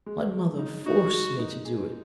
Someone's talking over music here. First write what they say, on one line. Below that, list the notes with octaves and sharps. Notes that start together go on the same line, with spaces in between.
My mother forced me to do it.
G#3
G#3
D#4
D#4 F#4
G#3
D#4
G#4